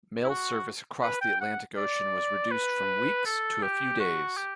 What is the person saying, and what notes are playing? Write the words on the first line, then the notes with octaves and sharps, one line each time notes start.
Mail service across the Atlantic Ocean was reduced from weeks to a few days.
E4
F#4
B4
G5
F#5
D5
B4
A4
G4
F#4
G4